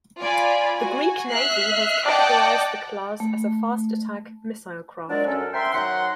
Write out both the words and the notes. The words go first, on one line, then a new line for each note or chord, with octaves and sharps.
The Greek Navy has categorised the class as fast attack missile craft.
F4 D5 G#5 B5
F#4 G#5
E5 F6 F#6 C7
D5 D#5 F#5 G5 A5 D6
A3
F3 F#3 G#3 D4 A#4 D5
F#2 C#4 A4
A#4 C5 E5 G5 C6
D#3 F#3 D#4 F#5 C6